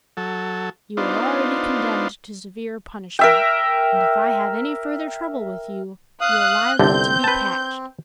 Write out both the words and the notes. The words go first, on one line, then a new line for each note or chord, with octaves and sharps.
"You are already condemned to severe punishment, and if I have any further trouble with you, you are liable to be patched."
F#3 A4
B3 D4 D#4 F4 C5
A#4 E5 G5
F5 D#6 F#6
G1 C2 D3 C4 G6
B4 A5